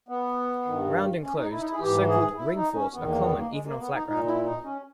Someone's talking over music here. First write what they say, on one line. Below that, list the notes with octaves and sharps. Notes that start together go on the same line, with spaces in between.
Round and closed, so called, "ring forts" are common even on flat ground.
B3
G2 D#3
C#4
D#4
E4
D#4
E4
G#4
G#2 E3 G4
G#4
E4
D#4
C#4
E2 D#3 B3
A#3
B3
A#3
G#3
A#3
B3
D#4
A#2 D#4
E4
D#4
C#4